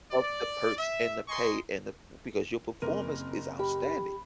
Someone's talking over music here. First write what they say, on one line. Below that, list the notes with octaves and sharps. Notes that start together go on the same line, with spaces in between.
of the perks and the pay and the because your performance is outstanding.
D5
E5
D#5 G#5 A#5 C6 C#6
F#1 C4 A#4
G4 B5